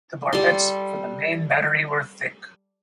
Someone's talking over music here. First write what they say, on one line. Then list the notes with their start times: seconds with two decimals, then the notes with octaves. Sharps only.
The barbettes for the main battery were thick.
0.33 G3 A4 C6